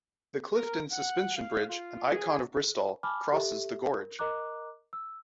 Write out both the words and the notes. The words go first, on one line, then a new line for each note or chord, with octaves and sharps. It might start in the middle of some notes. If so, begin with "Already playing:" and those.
The Clifton Suspension Bridge, an icon of Bristol, crosses the gorge.
A#4
F#5
F5
F4
G#4
G#5 A5 B5 D6 F6
G4 A4 E5
A#4
A#4 D#5 A#5 D6 F#6
E6